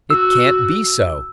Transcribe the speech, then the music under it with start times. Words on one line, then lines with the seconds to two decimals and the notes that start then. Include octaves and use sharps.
It can't be so!
0.10 F#4 E6